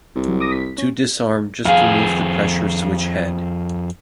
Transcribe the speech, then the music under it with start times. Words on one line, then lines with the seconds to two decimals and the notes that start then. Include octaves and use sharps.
To disarm just remove the pressure switch head.
0.16 C2
0.28 F#3
0.40 D6 D#6 A#6
0.52 B6
0.78 C#4
1.65 F2 G#4 F5